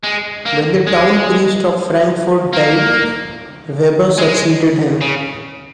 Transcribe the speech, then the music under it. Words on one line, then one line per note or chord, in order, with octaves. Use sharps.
When the town priest of Frankfurt died, Weber succeeded him.
G#3
A#3
G#3
A#3
G#3
C#3